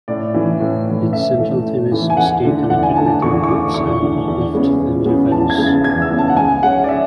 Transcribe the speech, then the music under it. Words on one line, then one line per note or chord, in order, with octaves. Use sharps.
Its central theme is to stay connected with your roots and uplift family values.
A2 D5
E3 A3
A2
E3 A3
A2 E5
E3 A3
A2
E3 A3
G#5
E2 F#5
D3 A3 D4
E2 F#5
G#5
D3 A3 D4 A5
E2 C#6
C#6
D3 A3 D4 D6
E2 C#6
D3 A3 D4
E2
C#3 G#3 B3
E2
C#3 G#3 B3
E2 A5
G#6
C#3 G#3 B3
A6
E2 G#6
E6
C#3 G#3 B3
A5
F#5
C#2 G#5
C#3 G#3 C#4 F#5
D5
E5